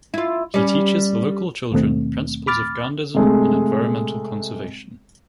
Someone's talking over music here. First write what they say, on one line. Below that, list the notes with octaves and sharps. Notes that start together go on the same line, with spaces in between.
He teaches the local children principles of Gandhism and environmental conservation.
E4 F4
G3 C#4
D#2 B2 D#3 A3 C4
B5 D6 F6 A6
C3 G#3 A3